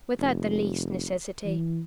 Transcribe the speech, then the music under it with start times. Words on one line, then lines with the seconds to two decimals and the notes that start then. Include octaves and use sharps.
"Without the least necessity."
0.18 F1
1.45 E3